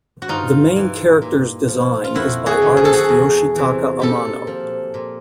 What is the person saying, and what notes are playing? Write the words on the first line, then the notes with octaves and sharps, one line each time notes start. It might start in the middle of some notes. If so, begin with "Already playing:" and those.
The main character's design is by artist Yoshitaka Amano.
F#4
G2 D#4 F4
E3
A#2
F3
F4
F2 E4 F#4
F#4 G#4
D3 F3
G#4
A4
F#4 G#4
E2
C3 E3
A#2 G4 A4
F3
A#2